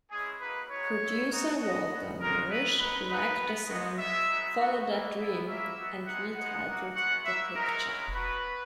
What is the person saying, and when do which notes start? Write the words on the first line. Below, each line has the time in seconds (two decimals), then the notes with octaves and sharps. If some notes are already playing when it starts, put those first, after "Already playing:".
Producer Walter Mirisch liked the song "Follow that Dream" and retitled the picture.
0.11 G#3 C#4 E4 G#4
0.41 A#3 D#4 F#4 B4
0.71 G#3 D#4 F#4 C#5
1.01 B3 E4
1.31 B3 D#4 F#4
1.60 B3 F#4 D#5
1.90 B3 F#4
2.20 G#3 D#4 F#4 A#4
2.50 B3 E4 B4
2.79 G#3 D#4 F#4 B4
3.09 B3 D#4 F#4 B4
3.39 B3 F#4
3.68 G#3 B3 D#4 F#4 D#5
3.98 G#3 B3 E4 E5
4.28 G#3 B3 D#4 F#4
4.58 B3 D#4 F#4
4.87 A#3 E4
5.18 B3 E4
5.47 A#3 C#4 E4 E5
5.77 B3 D#4 F#4
6.06 G#3 B3 D#4 F#4 F#5
6.37 G#3 B3 D#4 F#5
6.66 A#3 D#4 F#4
6.95 G#3 B3 F#4 F#5
7.25 A#3 E4 E5
7.55 G#3 D#4 F#4 A#4
7.85 G#3 C#4 E4
8.14 B3 F#4 B4